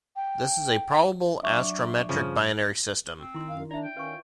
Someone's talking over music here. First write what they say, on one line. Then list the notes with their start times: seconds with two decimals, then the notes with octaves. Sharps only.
This is a probable astrometric binary system.
0.16 G5
1.43 F#3 D4 E5 C#6 D6
2.09 G2 C#3 F3
3.20 C4
3.34 D#3 E4 C6
3.50 F#2 F5
3.71 D4 D5 E5 A#5
3.84 G5
3.97 D#3 C#4 F4 B4 C#6